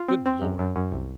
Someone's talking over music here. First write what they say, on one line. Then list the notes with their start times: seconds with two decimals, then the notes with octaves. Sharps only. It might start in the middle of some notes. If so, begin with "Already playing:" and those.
Good Lord!
Already playing: F4
0.08 C4
0.26 C4
0.42 F#2
0.59 F#2
0.76 F#2
0.92 C2